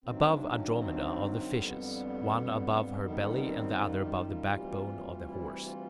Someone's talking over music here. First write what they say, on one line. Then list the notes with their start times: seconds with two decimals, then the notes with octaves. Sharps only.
Above Andromeda are the Fishes, one above her belly and the other above the backbone of the Horse.
0.04 G2 D#3 F#3 C4
0.19 C#4
0.30 D4
0.54 C#4
0.79 C4
1.54 F2 D3 G3 B3
3.03 F#2 D#3 G3 B3
3.41 C4
3.77 F4
4.02 G4
4.27 F4
4.52 D2 C3 E3 G3
5.26 E4
5.64 F4